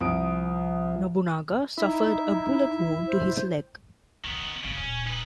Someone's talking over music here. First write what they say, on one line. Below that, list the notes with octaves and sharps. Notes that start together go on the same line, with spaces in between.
Nobunaga suffered a bullet wound to his leg.
C2 F3 D#6 D7
D#4 E4 E5
C5
C2 F2 D#3 B3
C#3
G#1 D2 C#3
D1 A#1 C#4
D#4 B4